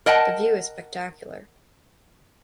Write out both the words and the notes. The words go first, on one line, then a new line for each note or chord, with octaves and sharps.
The view is spectacular.
A#4 D#5 F#5 G5 A5